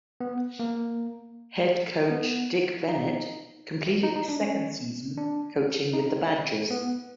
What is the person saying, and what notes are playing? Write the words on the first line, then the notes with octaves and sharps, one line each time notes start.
Head coach Dick Bennett completed his second season coaching with the Badgers.
B3
A#3
B3
D#4
D#4
D#4
D4
C#4
D4
D#4
B3